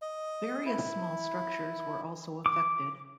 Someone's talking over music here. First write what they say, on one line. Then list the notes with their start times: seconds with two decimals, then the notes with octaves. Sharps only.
Various small structures were also affected.
0.02 D#5
0.66 E4
2.46 D6